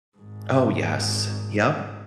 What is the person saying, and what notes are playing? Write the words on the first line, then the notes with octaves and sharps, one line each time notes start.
Oh, yes. Yep.
G#1 G#2